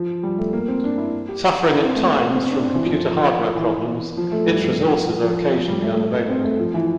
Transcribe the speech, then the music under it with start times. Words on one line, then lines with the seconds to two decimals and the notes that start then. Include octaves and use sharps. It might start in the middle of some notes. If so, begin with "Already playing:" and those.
Suffering at times from computer hardware problems, its resources occasionally are unavailable.
Already playing: F3
0.23 G3
0.38 A3
0.53 A#3
0.68 C4
0.84 D4
0.98 E4
1.28 G4
1.74 E4
1.84 C4
1.95 A3
2.05 A#3
2.34 C4
2.51 D4
2.65 C4
2.75 E3
2.86 F3
3.56 E3
4.17 F3
4.31 A3
4.47 G3
4.62 F3
5.23 F3
5.68 G3
5.83 A3
6.29 C4
6.43 A3
6.59 F3
6.74 E3